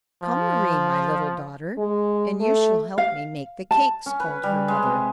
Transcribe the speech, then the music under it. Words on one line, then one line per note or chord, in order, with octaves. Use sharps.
"COME, Mari, my little daughter, and you shall help me make the cakes," called her mother.
F3
G#3
A3
F5
A5
C#4
B4
G3
G#3
C3